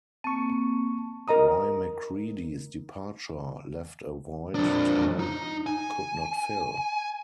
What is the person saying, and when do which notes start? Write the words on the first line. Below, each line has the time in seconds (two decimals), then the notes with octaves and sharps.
Roy McCreadie's departure left a void Town could not fill.
0.24 A#3 C4 A5 C#6
1.28 A#4 D#5 A#5 D#6
4.55 F2 D4
5.19 D#4
5.67 G#5